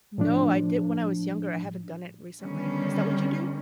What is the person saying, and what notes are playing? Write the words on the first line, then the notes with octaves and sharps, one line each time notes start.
No, I did when I was younger, I haven't done it recently. Is that what you do?
A2 F3 D4
D3 D#3 G3 B3 C#4